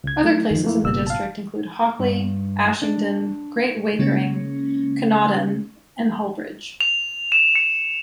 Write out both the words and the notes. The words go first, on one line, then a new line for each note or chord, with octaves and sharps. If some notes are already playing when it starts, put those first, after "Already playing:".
Other places in the district include Hockley, Ashingdon, Great Wakering, Canewdon and Hullbridge.
C#2 G#6
F#3 A3 E4
F#2 D#3 F3
A3 A#3 E4
F#1 G2 B2 A#3 E6
F5 A5
G2
D4
C#3 G#3 A#3 C#4
F7
E7
C#7